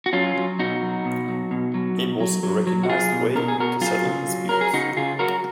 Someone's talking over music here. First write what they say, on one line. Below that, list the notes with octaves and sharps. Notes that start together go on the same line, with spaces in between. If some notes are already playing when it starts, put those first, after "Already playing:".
It was a recognized way to settle disputes.
F#4
F#3 C#4 F4
F#3
B2 D#4 F#4
F#3
B2
F#3
B2
F#3
B2
F#3
F#3
F#3
F#4
F#3 F4 G#4
B2
B2 A#4
G#4
B2 F#4 A#4
F#3 F4 G#4
C#3
F#3
F#3 A#4
G#4
C#3 D#4 F#4
C#3 F4 G#4
F#3 F#4 A#4